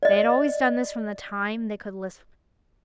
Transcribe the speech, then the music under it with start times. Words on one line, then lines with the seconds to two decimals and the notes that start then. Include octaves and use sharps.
They had always done this from the time they could lisp...
0.03 D5 D#5